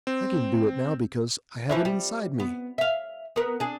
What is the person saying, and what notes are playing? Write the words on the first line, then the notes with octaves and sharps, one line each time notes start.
I can do it now because I have it inside me.
C4
E3 F3 E4
G3
B3
E5 F5
B3 A#4
D4 G#4